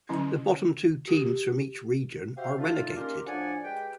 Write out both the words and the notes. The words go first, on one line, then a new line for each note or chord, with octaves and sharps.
The bottom two teams from each region are relegated.
D3 F#3 C#4 E4
F#4 G4
F#4 G4 C5 E5 F5
A3 D4 D#4 F4
D#3 A#3 C#4 G4 A#4 C6
A2 F3 D4 D5 F#5 G#5
G#3 G4 B4 G5